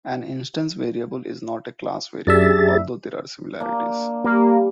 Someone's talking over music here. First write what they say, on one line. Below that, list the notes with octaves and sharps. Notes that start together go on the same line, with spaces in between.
An instance variable is not a class variable although there are similarities.
F#2 D4 G4 G#4 E5 A6
A#3 D4
G3 A#3